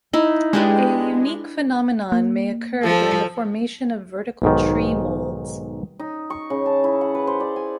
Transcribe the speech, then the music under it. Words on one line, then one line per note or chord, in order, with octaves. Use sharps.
A unique phenomenon may occur during the formation of vertical tree molds.
D#4 E4
G#3 D4 G4 B4
A#3
F3 A4
B1 G#2 D#3
D#4
C#6
C#3
A5
E4
F#5
B4
C5
D5
G#5